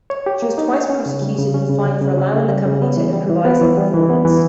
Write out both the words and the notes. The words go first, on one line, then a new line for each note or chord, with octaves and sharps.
She was twice prosecuted and fined for allowing the company to improvise in performance.
C#5
G4
A#3
D#4
C#5
C#4
C#3
G3
C#3
C#4
C#3
G3
C#3
C#4
C#3
G3
C#3
B3
E3
G3
E3
B3
E3
G3
E3
B3
E3